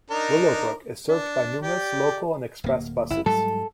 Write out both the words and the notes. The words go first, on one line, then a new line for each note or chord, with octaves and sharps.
Willowbrook is served by numerous local and express buses.
D4 D#4 A#4
D4
G4 D5
D1 A#3
F#1 E4
G#2 F#3 G3 A4